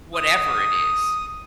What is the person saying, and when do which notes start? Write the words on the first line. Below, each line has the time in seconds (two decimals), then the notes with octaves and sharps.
whatever it is.
0.14 D#6